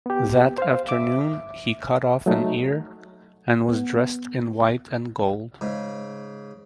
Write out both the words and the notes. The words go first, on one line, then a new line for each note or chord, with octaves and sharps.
That afternoon he cut off an ear and was dressed in white and gold.
B3 G4
C5 F5
E5 D6
F#3 A3 D#4
B3
G#2 C#3